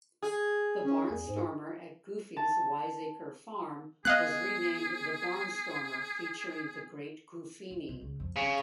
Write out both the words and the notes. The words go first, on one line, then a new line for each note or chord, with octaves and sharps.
The Barnstormer at Goofy's Wiseacre Farm was renamed The Barnstormer featuring the Great Goofini.
G#4
C#4
E2
G#2
A5
B3 G#4 D#5 F5 F#6
D#2
C3
C#2
F2
A#1 C#3